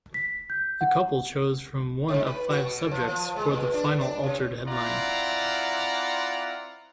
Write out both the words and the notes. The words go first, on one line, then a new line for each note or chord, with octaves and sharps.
The couple chose from one of five subjects for the final altered headline.
B6
G6
F#5
G#2
B4
F#4
B2
F3
F3
G#3
A#2
D4
D4
C3
C4 E4 F4 D5 F#5 A#5